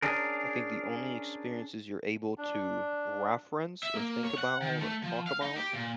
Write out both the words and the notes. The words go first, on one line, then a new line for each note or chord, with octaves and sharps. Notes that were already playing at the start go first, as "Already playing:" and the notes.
I think the only experiences you're able to reference or think about or talk about
C#4 D4 G#4 A#4
D4
E5
A#3
C#5
F#5
D#3
A3
F3
F5
D#4
G4
A#2